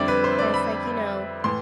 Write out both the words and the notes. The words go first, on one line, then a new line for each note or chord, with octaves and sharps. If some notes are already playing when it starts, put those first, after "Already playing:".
and it's, like you know,
Already playing: F2 D3 G3 C4 D5 E5
B4
C5
D5
B5
A2 E3 C6